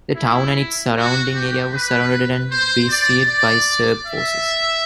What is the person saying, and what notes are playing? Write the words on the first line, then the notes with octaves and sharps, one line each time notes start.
The town and its surrounding area was surrounded and besieged by Serb forces.
E4
F#4
G4
B4
C5
D5
D5
E5